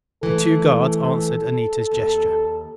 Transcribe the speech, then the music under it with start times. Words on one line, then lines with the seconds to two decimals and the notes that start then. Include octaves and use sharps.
The two guards answered Anita's gesture.
0.23 E3 A3 A4
1.91 D#2